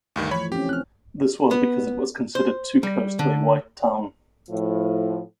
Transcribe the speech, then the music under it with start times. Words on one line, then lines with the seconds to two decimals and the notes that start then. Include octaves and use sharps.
This was because it was considered too close to a white town.
0.16 D2 G2 D#3
0.31 E3 F3 A3 C#5 B5
0.52 C4 C#4 G4
0.69 C4 F6 F#6
1.51 B3
2.35 C5
2.83 G3
3.19 D3
4.49 A2 F3